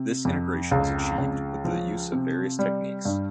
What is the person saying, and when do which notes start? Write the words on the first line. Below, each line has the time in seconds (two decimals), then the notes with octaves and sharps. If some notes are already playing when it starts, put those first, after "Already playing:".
This integration is achieved with the use of various techniques.
Already playing: C3
0.25 F2
0.71 C#2
1.18 C#2
1.65 F3
2.12 C3
2.59 G3
3.05 G2